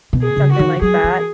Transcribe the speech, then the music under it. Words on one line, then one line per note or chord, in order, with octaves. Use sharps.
something like that
B2
G#4
C#3
F#4
D#3
F#3 G#4
E3